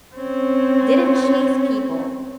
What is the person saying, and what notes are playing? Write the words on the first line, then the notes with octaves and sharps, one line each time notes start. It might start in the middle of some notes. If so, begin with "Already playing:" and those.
didn't chase people
C4 C#4